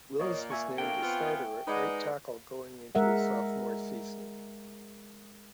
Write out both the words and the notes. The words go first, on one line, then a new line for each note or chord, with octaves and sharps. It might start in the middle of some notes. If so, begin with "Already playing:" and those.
Wills was named the starter at right tackle going into his sophomore season.
A#2 A#3 C#5 D#5
E5 G#5 C#6
D3 F3 A#3 G5
B3 C4 F4
G#3 D#4 B4 D5 F#5
G#3 A#4 E5 F#5